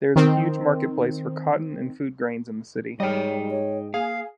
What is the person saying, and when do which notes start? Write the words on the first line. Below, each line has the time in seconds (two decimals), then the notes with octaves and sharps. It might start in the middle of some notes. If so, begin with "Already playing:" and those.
There is a huge market place for cotton and food grains in the city.
0.16 D#3 C4
3.00 G#2 G3 C#5 D#5 G5
3.51 C#5
3.94 A#3 G#4 F5